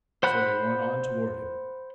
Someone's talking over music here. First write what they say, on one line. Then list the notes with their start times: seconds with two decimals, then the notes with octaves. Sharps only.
So they went on toward it.
0.23 C5 F#5 B5 F#6